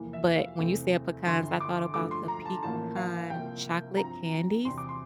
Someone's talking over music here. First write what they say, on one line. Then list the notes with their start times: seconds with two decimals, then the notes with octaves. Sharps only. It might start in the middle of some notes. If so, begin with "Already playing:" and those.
but when you said pecans, I thought about the pecan chocolate candies?
Already playing: F1 E2 E3 A#3
0.13 E5
0.36 F5
0.59 E2 C3 E3 A3 C4
1.26 G1 G2 E3 C6
1.60 D6
1.94 G2 F3 A3 D6
2.11 C6
2.28 A#5
2.45 A5
2.63 A1 A2 F3 A#3 A5
2.96 F5
3.30 C2 C3 F3 A#3 G5
3.97 G2 F3 C4 A#5
4.65 E2 C3 G3 C4 C6
4.78 D6
4.89 C6